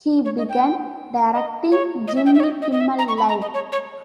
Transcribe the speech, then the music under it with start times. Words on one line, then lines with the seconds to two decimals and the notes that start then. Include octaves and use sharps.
He began directing Jimmy Kimmel Live!
0.25 C#5
0.38 D#5
0.49 G5
1.34 D#5
1.71 C#5
2.07 D#5
2.16 E5
2.26 G5
2.35 E5
2.40 C#5
2.43 D#5
2.62 D#5
2.72 D#5
2.80 E5
2.98 A#5
3.08 C#6
3.18 B5
3.29 A#5
3.42 D#5
3.54 C#5
3.72 C#5